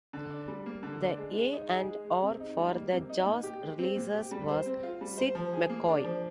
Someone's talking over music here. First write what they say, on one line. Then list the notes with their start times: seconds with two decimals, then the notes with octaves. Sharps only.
The A and R for the jazz releases was Sid McCoy.
0.13 D3
0.30 D4
0.48 G3
0.66 A#3
0.83 D3
1.01 D4
1.17 G#3
1.35 G#3
1.53 D#4
1.69 G#4
1.88 G#3
2.05 G#3
2.23 C3
2.40 D#4
2.57 G3
2.74 A#3
2.92 C3
3.09 D#4
3.26 A#2
3.43 G4
3.61 G#3
3.79 C4
3.97 A#2
4.14 G4
4.31 G3
4.48 C5
4.66 C4
4.83 F4
5.01 G3
5.18 C5
5.35 F3
5.53 G#4
5.69 A#3
5.88 D4
6.04 F3